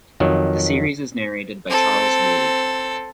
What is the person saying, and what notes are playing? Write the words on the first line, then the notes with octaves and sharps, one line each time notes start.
The series is narrated by Charles Wooley.
F2 D#3 F#3
C4 A4